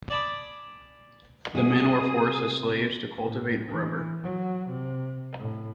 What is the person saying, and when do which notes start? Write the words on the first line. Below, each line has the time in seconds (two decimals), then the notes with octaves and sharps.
The men were forced as slaves to cultivate rubber.
0.10 D5 G#5 A5 B5 D6 D#6
1.55 C3 G3 F#4 G#4 D#6
3.23 A2
3.67 E3
4.23 F#3
4.69 C3
5.39 A2